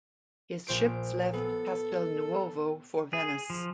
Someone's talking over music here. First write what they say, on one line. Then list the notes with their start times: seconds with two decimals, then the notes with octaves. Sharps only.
His ships left Castelnuovo for Venice.
0.67 A#1 C5 D7
1.34 B3 A4
3.13 G#4
3.50 F3